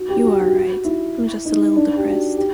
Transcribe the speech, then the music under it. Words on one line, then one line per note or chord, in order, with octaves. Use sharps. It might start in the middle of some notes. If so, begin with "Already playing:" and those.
You are right. I'm just a little depressed.
Already playing: F#4
G4
F#4
G4
F#4
E4
D#4
D4
G4
F#4
G4